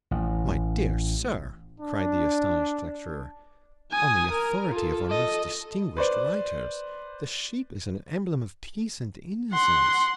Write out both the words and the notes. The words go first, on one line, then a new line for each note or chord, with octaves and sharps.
"My dear sir," cried the astonished lecturer, "on the authority of our most distinguished writers, the sheep is an emblem of peace and innocence."
A1
D4
G#5 D#6
A#4
F4 A4
A4 D#5
B4 C5 D5
F#5 C6